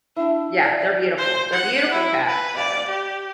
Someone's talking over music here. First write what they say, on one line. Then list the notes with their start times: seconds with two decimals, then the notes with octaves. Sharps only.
yeah, they're beautiful. They're beautiful cats, so
0.17 D4 E4
0.63 D5
0.78 D5
1.18 C5
1.53 F#5
1.93 E4
2.27 B4
2.57 D5
2.90 G4